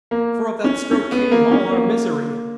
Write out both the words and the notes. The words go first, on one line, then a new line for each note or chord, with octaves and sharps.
For of that stroke came all our misery.
A#3
C#4
C#4
B3
A#3
C#4
A#3